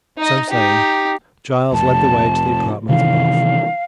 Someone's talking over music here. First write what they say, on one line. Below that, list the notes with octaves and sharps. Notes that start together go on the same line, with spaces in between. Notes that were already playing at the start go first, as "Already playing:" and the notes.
So saying, Giles led the way to the apartment above.
D#4 D#5
D#4 G4
F1 A5
C3 D#3 E3 F5